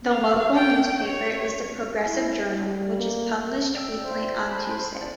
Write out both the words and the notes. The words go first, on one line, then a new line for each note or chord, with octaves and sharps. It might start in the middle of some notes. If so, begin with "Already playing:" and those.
The local newspaper is "The Progressive Journal", which is published weekly on Tuesday.
F5
G5
C#5
E4
G3
A#3
D5 G5 E6
C5 E5
A5 B5
D5